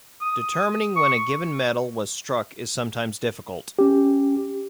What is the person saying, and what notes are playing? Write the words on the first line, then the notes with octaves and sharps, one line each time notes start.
Determining when a given medal was struck is sometimes difficult.
D#6
C#6
C#4 G4